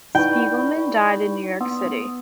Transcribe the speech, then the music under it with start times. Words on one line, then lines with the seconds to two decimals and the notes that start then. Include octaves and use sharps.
Spiegelman died in New York City.
0.15 D#4 E4 B4 D5 G5 B5 C#6
1.61 B3 D#6